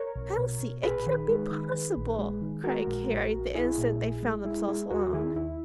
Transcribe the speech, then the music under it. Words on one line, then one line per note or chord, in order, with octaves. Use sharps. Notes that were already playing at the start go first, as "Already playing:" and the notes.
"Elsie, it can't be possible!" cried Carrie, the instant they found themselves alone.
Already playing: A#4 C#5
B1
B2
B2
A#1 G#4 B4
D#3
G#3
D#3
D#3
A#1
G#3
D#3
G#3 F#4 A#4
A#1
A#1
A#1
A#1 E4 G#4
A#2
A#1
G#3
G#3 E4 G#4
G#3 E4 G#4
D#2 F#4 A#4
D#3 E4 G#4
D#2 E4